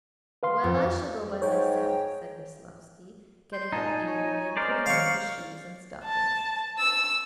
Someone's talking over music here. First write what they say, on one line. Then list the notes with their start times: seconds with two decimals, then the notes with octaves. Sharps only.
"Well, I shall go by myself," said Veslovsky, getting up eagerly, and putting on his shoes and stockings.
0.43 B4 F5 C6
0.64 F2
1.42 G#2 C#5 G5
3.53 C6 G6
3.72 A#2 D#4 G#5 A5
4.07 C#5 G#5
4.57 G#3 C#4 A#4 C5 D5
4.86 F5 C#6
6.05 A5
6.79 E6